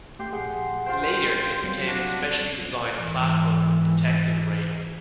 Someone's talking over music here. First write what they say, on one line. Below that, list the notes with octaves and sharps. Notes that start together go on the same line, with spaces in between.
Later, it became a specially designed platform with protective railing.
A3 G4 C6 G6
A#1 G#4 F#5 C6
F4 C5 G5 C6
F#3 G3 C4
D4 F#4
G#2 E3